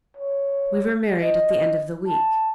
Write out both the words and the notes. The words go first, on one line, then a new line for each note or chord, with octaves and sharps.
We were married at the end of the week.
C#5
D#5
A5